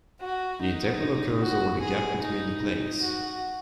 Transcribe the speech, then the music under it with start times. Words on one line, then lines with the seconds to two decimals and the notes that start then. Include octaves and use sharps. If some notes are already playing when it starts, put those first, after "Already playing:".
The integral occurs over the gap between the plates.
0.21 F#4
0.61 D#4
1.41 F#4
1.81 G#4
2.21 D#4
2.61 D#4
3.02 F#4